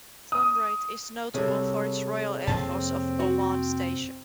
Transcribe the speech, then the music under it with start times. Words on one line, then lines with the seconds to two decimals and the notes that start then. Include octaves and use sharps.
Thumrait is notable for its Royal Air Force of Oman station.
0.32 D#6
1.34 C3 G3 G#4 A4 C#5
2.47 F2 C3 A#3 C4 A5
3.20 F#4